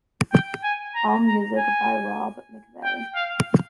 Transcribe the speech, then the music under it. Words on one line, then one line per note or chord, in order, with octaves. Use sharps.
All music by Rob McVey.
G5
G#5
A#5
A#5
G#5
G5
F5